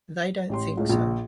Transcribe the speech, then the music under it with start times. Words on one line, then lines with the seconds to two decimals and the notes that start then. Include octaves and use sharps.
They don't think so.
0.49 A1 G4 C6
0.77 C#2 A2
0.89 A#1 A#2